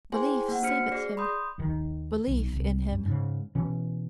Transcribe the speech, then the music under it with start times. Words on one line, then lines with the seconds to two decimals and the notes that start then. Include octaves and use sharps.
Belief saveth him; belief in him.
0.12 E4 G#4 C5 G5 G#5 C6
0.48 A#3 F#5
0.63 D4 F#4 C5 F6 B6 C#7
0.91 G#4 D5 A#6 C7
1.17 B5 C6 D#6 G6
1.58 D#2 D#3
2.27 B1
2.53 C2
2.91 F#2
3.05 G#2 C#3
3.55 B2 E3 C#4